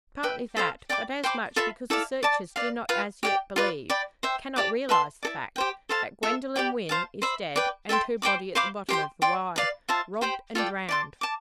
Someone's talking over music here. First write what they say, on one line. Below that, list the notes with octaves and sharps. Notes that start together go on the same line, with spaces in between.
Partly that, but as much because the searchers do not as yet believe--cannot realise the fact-- that Gwendoline Wynn is dead, and her body at the bottom of the Wye! Robbed and drowned!
B4 E5 G5
A4 C5 F5
D5 G5 B5 D6
C5 G5 B5 D6
F4 A4 E5 B5
E4 A4 D5 F5
D5 A5 D6
B4 D5 F5
F4 B4 F5
G4 D5 G5
F4 B4 D5
D5 G5 B5
C5 E5 G5
G4 D5 A5 D6
B4 E5 A5 C6
E4 A4 D5
G4 C5 G5
A4 C5 F5 A5
F4 A4 E5
G4 D5 G5 B5
C5 F5 A5
C5 E5 B5
B4 D5 G5
A4 E5 G5 C6
C5 G5 B5 D6
C5 F5 B5 D6
G4 C5 G5 C6
D5 G5 C6
B4 D5 F5
F4 C5 E5 A5
G4 C5 G5 B5
F4 A4 D5 G5
D5 A5 C6
A5 D6